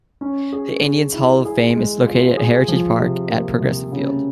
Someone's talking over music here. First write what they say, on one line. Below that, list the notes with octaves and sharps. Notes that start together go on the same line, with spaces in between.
The Indians Hall of Fame is located at Heritage Park at Progressive Field.
C#4
G#4
G#4
E4
G#4
G#3
F4
G#4
F3
C3
A#3
C3
C#3